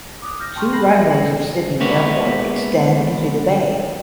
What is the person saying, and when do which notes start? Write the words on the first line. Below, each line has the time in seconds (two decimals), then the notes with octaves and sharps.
Two runways of Sydney Airport extend into the bay.
0.22 D6 D#6 F#6
0.40 F6 G6 A#6
0.56 G5 A5 C6 C#6 F6 G6
0.73 B5 F#6 G6 A#6 C7 F#7
0.87 E5 E6 A#6
1.08 A4 D5 C7 C#7 F#7
1.80 G#3 A#3 B3 E4 B4 C#5